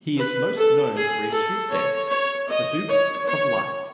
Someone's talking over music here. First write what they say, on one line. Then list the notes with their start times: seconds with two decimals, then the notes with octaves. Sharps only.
He is most known for his hoop dance, The Hoop of Life.
0.17 B4
0.56 A4
0.95 G#4
1.33 A4
1.72 C#5
2.11 C#5
2.50 D#5
2.89 C#5
3.27 C#5